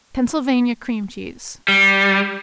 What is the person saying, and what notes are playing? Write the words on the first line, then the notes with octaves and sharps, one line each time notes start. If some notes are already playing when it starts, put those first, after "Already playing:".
Pennsylvania Cream Cheese.
G3